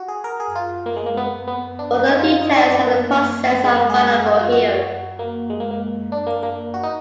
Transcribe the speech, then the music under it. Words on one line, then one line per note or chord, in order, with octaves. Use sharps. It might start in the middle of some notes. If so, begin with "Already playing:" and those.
Further details on the process are available here.
Already playing: F#4
G#4
A#4
G#4
F4
A#3
G#3
A#3
B3
B3
D4
D#4
F4
F4
D#4
D4
B3
A#3
G#3
A#3
G#4
F#4
G#4
F#4
F4
F#4
A#3
G#3
A#3
A#3
D4
A#3
A#3
F#4
D#4